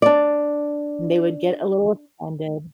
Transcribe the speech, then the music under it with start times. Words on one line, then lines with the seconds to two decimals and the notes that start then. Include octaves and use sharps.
And they would get a little offended.
0.02 D4 D5